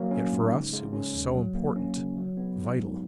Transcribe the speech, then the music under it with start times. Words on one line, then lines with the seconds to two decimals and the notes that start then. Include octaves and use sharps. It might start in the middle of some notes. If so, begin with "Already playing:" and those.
Yet for us, it was so important! Vital.
Already playing: F#3 A#3
0.11 C#4
0.32 G#2
0.53 C#3
0.73 G#3
0.93 C#4
1.14 D#2
1.35 F#3
1.55 A#3
1.76 C#4
1.97 C#3
2.17 F#3
2.37 B3
2.58 G#2
2.79 G#2